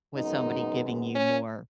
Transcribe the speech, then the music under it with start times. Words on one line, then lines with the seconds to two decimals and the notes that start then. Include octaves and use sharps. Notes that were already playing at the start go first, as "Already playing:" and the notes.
with somebody giving you more,
0.15 F#2 D#3 G#3 B3 D#4
1.14 C#4